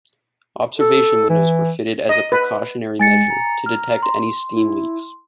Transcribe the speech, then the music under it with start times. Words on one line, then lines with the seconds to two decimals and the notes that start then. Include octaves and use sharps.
Observation windows were fitted as a precautionary measure, to detect any steam leaks.
0.79 A4
1.30 E3
2.09 D#5
2.32 B4
2.99 G#3 G#5 A6 C#7
3.30 A#5
3.66 F6
4.03 C6
4.56 E4